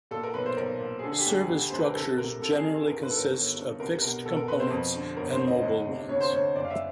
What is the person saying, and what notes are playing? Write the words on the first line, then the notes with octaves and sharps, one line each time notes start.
Service structures generally consist of fixed components and mobile ones.
A#2 A4
A#4
B1 B4
C5
B1 A#4
A#2
G#4
D3 A4
G#4
G4
D2
G#4
D2
D2 C5
B4
A#4
C2 A4
C3 A#4
C2 A4
G#4
D#3
G2 A#4
B4
G1 A4
A#4
G1
G2
C2 A#4
B2 A#4
B2 A4
A#4
B2 B4
C5
F2
D3
G1 A#4
C5
G1
D#5
D2
C3
D2 C#5
C5
D2 C#5
F#1 D5
F5
E5